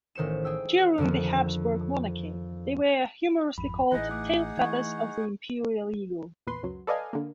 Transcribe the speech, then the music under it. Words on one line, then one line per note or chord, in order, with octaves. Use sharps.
During the Habsburg Monarchy they were humorously called "tail feathers of the Imperial Eagle".
A1 D#3 C5 C#7 E7
G#4 G5 E6
F2 D3 D#3 F3
G#1 F2 B5
A1 E3 D#4 G#4 D#5 F#5 F#6
A3 D6
E3 C#6 G#6
A#1 E2 B4 C6
C#2 F#2 F#3
A4 B4 D5 D#5 F5 G#5
D3 A#3